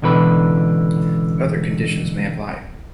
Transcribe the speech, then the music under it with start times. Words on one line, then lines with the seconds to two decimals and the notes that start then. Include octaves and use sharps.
Other conditions may apply.
0.02 C#2 B2 D3 E3 B4